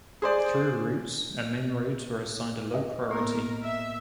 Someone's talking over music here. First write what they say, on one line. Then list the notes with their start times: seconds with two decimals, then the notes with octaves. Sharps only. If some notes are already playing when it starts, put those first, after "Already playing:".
Through-routes and main roads were assigned a low priority.
0.22 G#4 C5 D5
2.74 D#5
3.11 A2 A#3 B3 A#4
3.64 E5